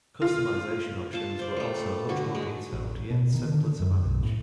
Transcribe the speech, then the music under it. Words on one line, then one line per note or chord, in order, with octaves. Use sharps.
Customisation options were also much more detailed yet simpler to manage.
F4
F4 A5
C5 D5
G3 A3
D3 F#4
G#3
A1
B2
D#3
D3
F#2
B1
A2